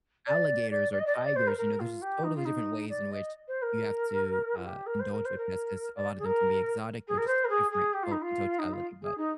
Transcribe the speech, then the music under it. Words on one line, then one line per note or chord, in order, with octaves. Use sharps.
alligators or tigers, you know, there's just totally different ways in which you have to, uh, indulge with pets 'cause a lotta them can be exotic or just different tot in totality, but,
D5
D5
D5
D#5
D5
D#5
D5
C5
A#4
A#4
F4
G4
D#4
F4
D#4
D5
D#5
C5
A#4
F4
G4
A#4
C5
A#4
C5
A#4
D5
G#4
A#4
G#4
A#4
C5
A#4
G#4
G#4
G4
F4
D#4
F4
D#4
F4
G#4
D#4